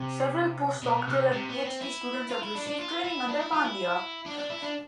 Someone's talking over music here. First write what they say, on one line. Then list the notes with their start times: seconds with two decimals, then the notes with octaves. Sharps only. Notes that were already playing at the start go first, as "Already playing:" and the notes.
Several postdoctoral and Ph.D. students have received training under Pandya.
Already playing: C3
0.83 B2
1.08 C3
1.32 C3
1.49 B3
1.65 C4
1.81 E4
2.30 F4
2.43 E4
2.55 D4
2.67 D4
2.79 F4
3.04 E4
3.28 D4
3.40 E4
3.53 F4
3.65 E4
4.26 D4
4.38 D4
4.50 E4
4.63 D4